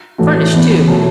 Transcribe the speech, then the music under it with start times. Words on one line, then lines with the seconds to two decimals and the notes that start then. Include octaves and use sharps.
Furnished, too.
0.18 A2 E3 A3 F#4
0.53 E2 E3 B3
0.88 B2 F#3 A3